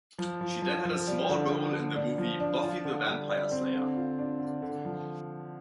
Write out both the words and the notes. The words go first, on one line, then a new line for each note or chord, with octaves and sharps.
She then had a small role in the movie "Buffy the Vampire Slayer".
F3
F3
F3
F3
G3
D3
D3
D3
D4
F3
D4
F4
D3
G3
G3
C4
D3
F4
D4
D3
D3
F3